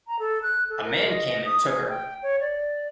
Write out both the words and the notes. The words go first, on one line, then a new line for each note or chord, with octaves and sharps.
A man came and took her.
A#5
A4
F#6
A4
A#4
D#5
D#6
G#4
G5
C#5
D5